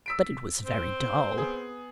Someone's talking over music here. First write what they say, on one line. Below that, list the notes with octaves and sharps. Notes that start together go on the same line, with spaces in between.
But it was very dull.
E6 B6 D7
C4
B3 G#4